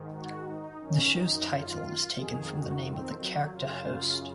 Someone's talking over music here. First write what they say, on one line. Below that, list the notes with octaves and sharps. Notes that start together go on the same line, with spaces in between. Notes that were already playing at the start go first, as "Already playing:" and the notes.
The show's title is taken from the name of the character host.
Already playing: G#2 D#3
F#4
D#4
F#2 D#3 C#4
D#4
F4
F2 D#3 G#4
F#4
C4
F#3
F#2 C#3 F4
F4